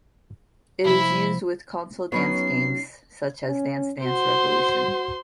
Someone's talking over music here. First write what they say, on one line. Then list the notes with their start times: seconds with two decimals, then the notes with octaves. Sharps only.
It is used with console dance games such as Dance Dance Revolution.
0.84 C3 F3 A#3 E4
2.12 F#3 B3 C#4 D#4 F#4 C#5 B5 C7
3.48 C#4
4.04 F#4 C5 C6